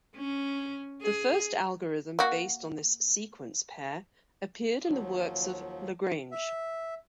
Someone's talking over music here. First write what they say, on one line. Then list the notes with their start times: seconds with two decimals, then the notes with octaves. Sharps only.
The first algorithm based on this sequence pair appeared in the works of Lagrange.
0.16 C#4
1.01 G#4
2.19 A#3 F#4
4.88 D#2 F3 F#3
6.32 E5